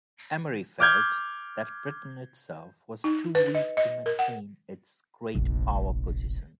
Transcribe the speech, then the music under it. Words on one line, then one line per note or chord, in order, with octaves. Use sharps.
Amery felt that Britain itself was too weak to maintain its great power position.
D6 F6 G6 G#6
D#4
B4
D#5
D#5
A#4
F#5
F1 A#1